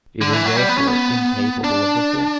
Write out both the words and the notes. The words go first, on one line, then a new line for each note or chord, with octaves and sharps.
It is, therefore, incapable of reform.
D3
E3
F#3
G3
B3
C#4
B3
D4